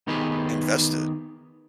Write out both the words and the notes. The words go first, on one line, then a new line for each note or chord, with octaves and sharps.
Invest it.
D#3 B3 D#4 G4 G#4 B4